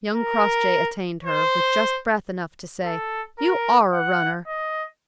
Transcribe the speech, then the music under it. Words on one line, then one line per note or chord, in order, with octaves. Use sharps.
Young Crossjay attained her, with just breath enough to say: "You are a runner!"
A#4
C5
A4
A#4
F#5
D#5